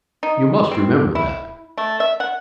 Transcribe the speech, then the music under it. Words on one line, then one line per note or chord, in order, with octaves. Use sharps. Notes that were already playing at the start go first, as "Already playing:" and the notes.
You must remember that.
D#4
C4
E4
A3
E5
F#5